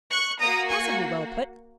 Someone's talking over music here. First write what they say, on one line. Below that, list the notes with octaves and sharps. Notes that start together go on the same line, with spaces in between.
"Passably well put."
C#6 F#6
A#3 F#4 A#5 D#6
G#5 C#6